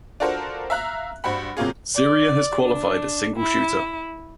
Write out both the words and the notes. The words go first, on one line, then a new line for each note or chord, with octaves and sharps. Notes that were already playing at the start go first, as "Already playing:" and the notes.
Syria has qualified a single shooter.
D4 F4 F#4 A4 A#4 C5
E5 F5 A#5 F#6
G2 F#4 C5 F#5 B5
C3 F#3 A#3 F4 G#4
D5
D4
E4